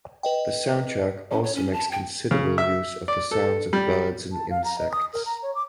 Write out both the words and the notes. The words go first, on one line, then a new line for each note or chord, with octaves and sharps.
The soundtrack also makes considerable use of the sounds of birds and insects.
B4 D#5 G5
C#4
C#5
C#4
A5
G5
C#3
E5
D5
A4
G3
A5
F5
A#5
D#5
D#6
A#4
A#5
C#5
D6